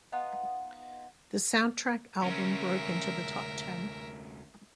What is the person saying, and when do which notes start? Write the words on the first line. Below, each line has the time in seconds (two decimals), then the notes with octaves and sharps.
The soundtrack album broke into the top ten.
0.12 B3 D#4 F4 F#6
2.23 D2 C#4 A#4 E5